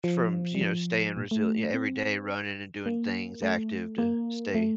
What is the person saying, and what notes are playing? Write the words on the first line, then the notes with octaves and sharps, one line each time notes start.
from, you know, staying resilie yeah every day, running and doing things, active to stay
F3
G3
F3
A#2
A3
C4
A#3
A3
A#3
A3